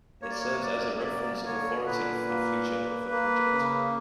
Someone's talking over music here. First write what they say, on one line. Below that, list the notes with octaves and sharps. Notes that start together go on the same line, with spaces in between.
It serves as a reference of authority for the future of the project.
A#3 C#5
D5
C#5
F#2 D5
C#5
A#3 D5
D3 C#5
A#2 B4
A#3
A#3
A#3
C#3